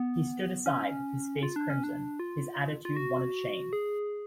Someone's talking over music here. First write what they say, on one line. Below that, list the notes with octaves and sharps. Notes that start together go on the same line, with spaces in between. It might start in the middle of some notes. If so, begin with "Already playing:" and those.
He stood aside, his face crimson, his attitude one of shame.
Already playing: B3
C#4
F4
D4
C#4
D4
F4
F4
F#4
G#4